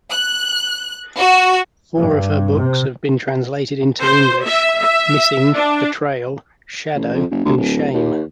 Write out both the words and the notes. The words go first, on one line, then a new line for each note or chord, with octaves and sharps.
Four of her books have been translated into English: "Missing", "Betrayal", "Shadow" and "Shame".
F#6
F#4
G2
C3
C5
E5
E5
D4
A1
F2
F#1
D2
D1
D#2